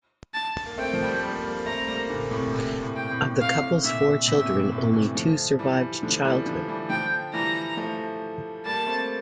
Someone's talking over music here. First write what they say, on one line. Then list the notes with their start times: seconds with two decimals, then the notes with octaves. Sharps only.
Of the couple's four children only two survived childhood.
0.34 A5
0.66 A#3
0.78 A3 C4 G5
0.93 F3
1.03 G3
1.12 A3
1.22 G3 A#3
1.44 G3 A#3
1.66 A3 C4 A#5
1.87 G3 A#3
2.10 A#2 D3
2.31 A2 C3
2.52 A2 C3
2.82 A2
2.96 G5
3.11 A2 C3
3.40 A2 C3 F5
3.84 A#2 D3 E5
4.27 A2 C3 E5
4.49 G2 A#2
4.71 A2 C3
4.93 C3 E3
5.15 D3 F3
5.59 E3 G3
6.03 D3 F3
6.24 E3 G3
6.46 D3 F3
6.68 E3 G3
6.90 D3 F3 G5
7.34 E3 G3 A#5
7.77 F3 A3
8.65 G3 A#3 A5
8.87 A3 C4